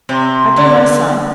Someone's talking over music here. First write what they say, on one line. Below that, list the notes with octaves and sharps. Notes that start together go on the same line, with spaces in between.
"I do know some."
C3
D3